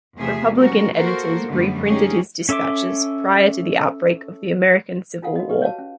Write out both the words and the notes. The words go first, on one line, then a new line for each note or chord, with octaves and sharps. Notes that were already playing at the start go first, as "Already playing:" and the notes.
Republican editors reprinted his dispatches prior to the outbreak of the American Civil War.
E2 C3 F3 A3 G#4 E5
F3 G3 C#4 F#4 A#4
A#3 F#4 A4 A#4 C5
F#2 D3 G3 A3 B3
C#4 D#4 G4 G#4
C#4 A4 E5 C6 D6
D#4 F4 A4 F5 F#5
F#4 D#5
G4 B4
C#5 F5 A5
C#4